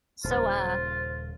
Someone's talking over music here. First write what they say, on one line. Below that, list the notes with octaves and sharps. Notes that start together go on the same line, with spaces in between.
so, uh,
D#1 C#3 F4 C5